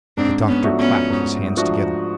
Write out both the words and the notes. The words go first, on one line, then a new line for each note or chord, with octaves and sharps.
The doctor clapped his hands together.
G#2 C4 D4
B3 C#4
F3 A3 D4 F#4
B3 C#4
G#2
F3 A3 D4 F#4